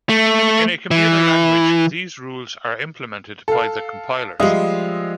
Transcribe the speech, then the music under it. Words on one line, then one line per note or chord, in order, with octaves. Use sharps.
In a computer language, these rules are implemented by the compilers.
A3
E3
A4 F5
F3 G3 G#3 E5 D#6